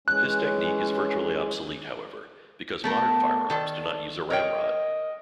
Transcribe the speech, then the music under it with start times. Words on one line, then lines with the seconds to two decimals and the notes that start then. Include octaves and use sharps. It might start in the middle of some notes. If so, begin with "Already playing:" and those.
This technique is virtually obsolete, however, because modern firearms do not use a ramrod.
0.08 E3 G#3 C#4 F#6
2.84 A3 B3 A4 A#4
3.50 D#3 A4 D5 A5
4.30 A#4 C#5 D#5 G5